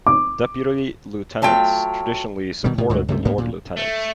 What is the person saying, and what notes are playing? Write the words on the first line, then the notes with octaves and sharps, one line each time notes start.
Deputy Lieutenants traditionally supported the Lord-Lieutenant.
D6
F#3 A3 F4 G5
B2 D#3 G3
A2 C3
D2 G#2 B2 F#3
C#2 G2 C3 A3
D2 G#2 A#3 B3
D2 A#2
A3